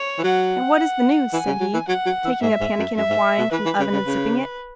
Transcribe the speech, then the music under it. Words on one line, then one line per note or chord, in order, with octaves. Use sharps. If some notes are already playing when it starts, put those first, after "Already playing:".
"And what is the news?" said he, taking a pannikin of wine from the oven and sipping it.
Already playing: C#5
E3
F#3 F#5
E3 G#5
C#3
F#3
E3
F#3 F#5
F#3
E3
G#2 E5
G#2
F#2
F#2 E5
G#2
B2
E3 B4
E3
C#3
C#3
C#3